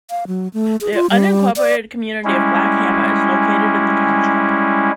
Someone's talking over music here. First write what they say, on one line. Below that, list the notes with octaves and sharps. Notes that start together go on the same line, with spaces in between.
The unincorporated community of Black Hammer is located in the township.
F5
F#3
A3
G#4
F4
G3
D5
G3 G#3 C#4 E4